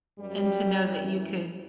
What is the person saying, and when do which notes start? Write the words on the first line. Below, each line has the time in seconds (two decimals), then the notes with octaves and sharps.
and to know that you could
0.19 F#2 F#3 G3
0.81 F#2 E3